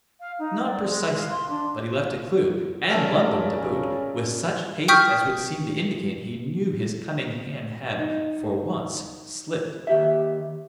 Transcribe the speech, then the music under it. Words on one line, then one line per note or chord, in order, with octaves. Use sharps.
"Not precisely: but he left a clue--and London, to boot--with such haste as would seem to indicate he knew his cunning hand had, for once, slipped."
F5
D#4
D5
G#3
F5
C6
D4
C#3 C#4 A#4 D5 E5 G#5 A5
G5 C#6 D#6 F6 G6 B6
D#4
D#2 G4 E5